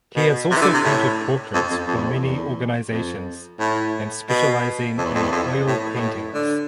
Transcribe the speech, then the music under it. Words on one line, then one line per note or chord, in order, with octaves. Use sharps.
He has also painted portraits for many organizations and specializing in oil paintings.
B2
C3
E3
D3
C3
A2
F2
F2
F2
E2
F2
E2
F2
A2
B2
F2
E2
F2
E2
F2
A2
B2
A2
D3